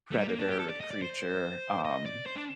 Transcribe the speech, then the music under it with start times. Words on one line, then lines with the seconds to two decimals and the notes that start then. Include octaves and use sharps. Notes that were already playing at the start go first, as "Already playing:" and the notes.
predator or creature, um,
0.11 A3
0.18 G3
0.28 A#3
0.39 D4
0.49 G4
0.59 A4
0.70 D5
0.80 D#5
0.91 D5
1.02 C5
1.85 D#5
2.05 D5
2.26 C5
2.36 D4